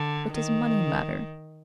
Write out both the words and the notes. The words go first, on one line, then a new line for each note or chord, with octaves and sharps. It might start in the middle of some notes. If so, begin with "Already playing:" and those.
What does money matter?
Already playing: D3
D#3